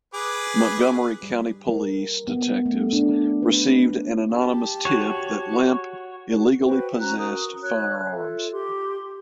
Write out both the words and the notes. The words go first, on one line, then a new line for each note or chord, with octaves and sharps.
Montgomery County Police detectives received an anonymous tip that Lemp illegally possessed firearms.
G#4 B4 D6
G3
A#4
B3
A3
D4
B4
G4 A5
F#4 C#5
F#4 B4 C5 G5
C#4 A#5 F#6
F#4 A#4 D#6
C#5 F#6
F4 A4 E5
G4 C6